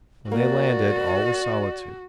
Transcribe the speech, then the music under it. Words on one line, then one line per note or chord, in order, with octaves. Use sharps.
When they landed, all was solitude.
A#3 F#4 D5